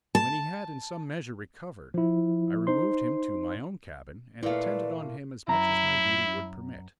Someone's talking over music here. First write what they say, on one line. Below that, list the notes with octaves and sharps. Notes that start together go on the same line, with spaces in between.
When he had in some measure recovered, I removed him to my own cabin and attended on him as much as my duty would permit.
A5
F3 E4
D#4 C5 C6
A#2 A3 E4 B4 D5 F5
F#2 E4 A#5